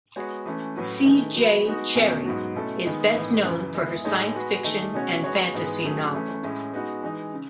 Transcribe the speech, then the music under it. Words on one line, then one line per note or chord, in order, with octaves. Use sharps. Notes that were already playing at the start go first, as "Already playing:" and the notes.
C. J. Cherryh is best known for her science fiction and fantasy novels.
G#3 B3 F#4 C#5
E3 A3 C#4
A2 F#3 C#4 F#4 B4
D#3 A3 D#4 G#4 B4
F#3 B3 F#4 B4
G#3 B3 D#4 F#4
E2 B2 A3 C#4 G#4
G#2 F#3 B3 F#4
B2 A3 C#4 E4 A4
D#3 G#3 B3
A2 E3 B3 D#4
F#2 C#3 E3
G#3 B3 E4 G#4
A2 G#3 D#4 A4 C#5
G#3 B3 F#4 B4
D#3 A3 D#4 G#4
B2 G#3 C#4 F#4 C#5
G#3 B3 F#4 C#5
G#2 E3 G#3 B3
C#3 F#3 A3 C#4 G#4
E3 A3 C#4
A2 G#3 C#4 E4
G#3 B3 D#4 F#4
E3 G#3 D#4
C#3